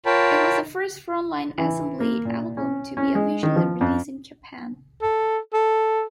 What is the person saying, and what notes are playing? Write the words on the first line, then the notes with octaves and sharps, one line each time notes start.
It was the first Front Line Assembly album to be officially released in Japan.
F4 A#4 C#5 G5 A5 B5
E3
A#3
A#2
C#4
C#4
G#3
D#3
F3
F2
A4
A4